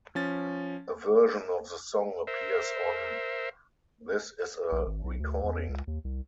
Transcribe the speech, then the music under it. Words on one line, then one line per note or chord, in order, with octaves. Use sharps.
A version of the song appears on "This Is a Recording".
F3 C#4 A6
A#4 C5 E5
B1
G#1
B1
D2
E2
C#2
D#2
C2